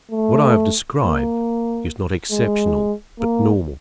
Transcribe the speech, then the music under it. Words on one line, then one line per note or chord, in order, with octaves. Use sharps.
What I have described is not exceptional but normal.
A3
A#3
G#3
A#3